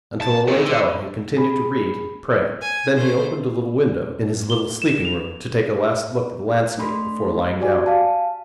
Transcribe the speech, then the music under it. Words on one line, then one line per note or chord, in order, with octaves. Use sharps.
Until a late hour he continued to read and pray: then he opened a little window in his little sleeping-room, to take a last look at the landscape before lying down.
A5
D#3 C4 G#4 C#5
D3
G#4 B5
G#5
A3 C5
G7
E7
F7
A3 D4 B5 C6
F#4 G4 D5 G#5
F5 A5